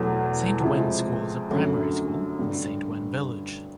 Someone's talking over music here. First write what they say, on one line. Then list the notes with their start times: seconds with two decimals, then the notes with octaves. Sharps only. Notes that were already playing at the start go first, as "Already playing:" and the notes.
Saint Wenn School is a primary school in Saint Wenn village.
Already playing: E2 B2 F#3 A3
0.62 F2 C3 F3 G#3
1.50 F#2 D3 F#3 A3
2.39 G2 D3 G3